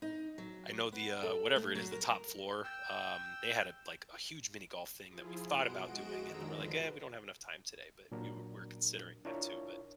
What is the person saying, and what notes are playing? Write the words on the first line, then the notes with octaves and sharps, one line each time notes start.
I know the uh, whatever it is, the top floor, um, they had a like, a huge mini golf thing that we thought about doing, and then we're like, "Yeah, we don't have enough time today," but we were we're considering that too, but,
D#4
F#3
B3
A4
A3
F#3
A#4
G5 E6
F3 E4 F4 G#4
B2 F#5 C6 D7
G#3 F#4 D#5 D7 E7
F2 D3 D#3 G#3 A#5 E6
F3 B4 C6
A#2 F#3 D4 A#4
D4 E4 F4 A#4 C#5